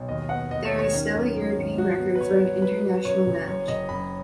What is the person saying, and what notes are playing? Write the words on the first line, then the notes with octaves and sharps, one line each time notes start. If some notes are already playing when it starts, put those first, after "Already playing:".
This is still a European record for an international match.
Already playing: B1
D#2 D#5
B3 F#5
D#2 D#5
C#5
D#2
C#5
D#3 C#4
F#2
F#2
G#1
F#3 F#4
B3
B4
F#3 C#5
F#3
F#3 B4
F#3
F#2 C#5
F#1
F#2 C#5
F#1 D#5
F#2 B5